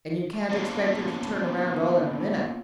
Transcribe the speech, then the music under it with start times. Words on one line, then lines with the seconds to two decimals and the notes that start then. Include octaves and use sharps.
And you can't expect her to turn round all in a minute.
0.50 A#3 B3 C#4 F4 A5